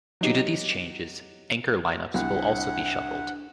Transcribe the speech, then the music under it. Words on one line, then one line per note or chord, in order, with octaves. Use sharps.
Due to these changes, anchor lineups will also be shuffled.
F#3 D#4 G4
C2 D4 F#5